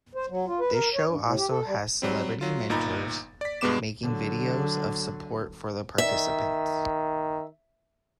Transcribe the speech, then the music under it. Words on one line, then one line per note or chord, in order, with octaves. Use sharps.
This show also has celebrity mentors making videos of support for the participants.
C5
F#3
F4
B4
A#4
C#5
G2
A2
G4
A4
G3
F#3 G3 C4
F#3 F4
G1 A#2 D#4 A#5 B5 A6
D5 B6
G2 B2 G#3 B3 D6 E7
D3 F#3
D#3 E5